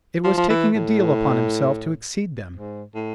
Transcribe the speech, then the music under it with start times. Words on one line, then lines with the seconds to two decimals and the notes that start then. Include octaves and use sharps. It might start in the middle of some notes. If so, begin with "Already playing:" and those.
It was taking a deal upon himself to exceed them.
0.24 F3
0.37 F3
0.50 E3
0.75 A2
2.56 G#2
2.95 A2